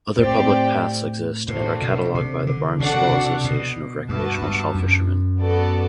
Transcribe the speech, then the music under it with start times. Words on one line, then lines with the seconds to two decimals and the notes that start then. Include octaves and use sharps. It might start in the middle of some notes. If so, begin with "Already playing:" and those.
Other public paths exist and are catalogued by the Barnstable Association of Recreational Shellfishermen.
0.18 A2 C4 G4 D5 G5
1.48 A2 A3 D4 F#4 C5
1.82 B2
2.15 C3
2.47 D3
2.80 C3 D4 F#4 A4 D5 F#5
3.12 C3
3.44 B2
4.09 G2 B3 F#4 B4 E5 A5
4.42 G2
4.75 F#2
5.40 B3 F#4 A4 D5